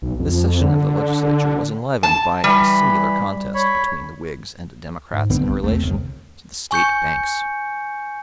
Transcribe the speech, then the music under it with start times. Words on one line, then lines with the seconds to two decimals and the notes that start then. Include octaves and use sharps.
This session of the Legislature was enlivened by a singular contest between the Whigs and Democrats in relation to the State banks.
0.02 B1
0.20 F2
0.61 D3
2.03 A5
2.44 E3 G3 B5
3.54 C#5 B5
5.13 G#2
5.30 B1 D3 B3 C4
5.50 B1
5.64 E2 A3 C4
5.82 G1 C2 D#3
6.71 G#5 C#6 G6 C#7